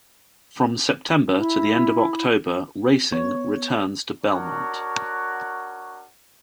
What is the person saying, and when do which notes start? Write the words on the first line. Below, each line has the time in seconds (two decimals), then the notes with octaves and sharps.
From September to the end of October racing returns to Belmont.
1.38 E4
3.12 B3 C#5
4.24 D4 F#4 A#4 C#5 F#5